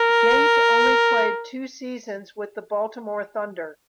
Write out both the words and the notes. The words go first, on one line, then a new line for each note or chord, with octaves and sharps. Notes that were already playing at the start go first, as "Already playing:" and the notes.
Gait only played two seasons with the Baltimore Thunder.
Already playing: A#4